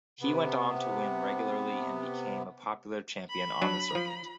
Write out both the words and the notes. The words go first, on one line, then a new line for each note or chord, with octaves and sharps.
He went on to win regularly and became a popular champion on the circuit.
C3 B3
B5
F#3 D4
F3